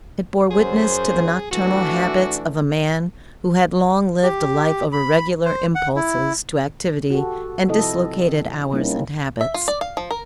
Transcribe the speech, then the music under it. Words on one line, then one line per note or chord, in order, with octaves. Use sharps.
It bore witness to the nocturnal habits of a man who had long lived a life of irregular impulses to activity and dislocated hours and habits.
F#2 G#4 C5
E3 A3 D4 F#4
G4
B5
C5
F#5
E4
F#4 G4 A4
C3 F3 C4 E4 A4 D#5
G3 A#3 C4 C#4 D#4 E4
E5
F4
D5
F5
F3
A#4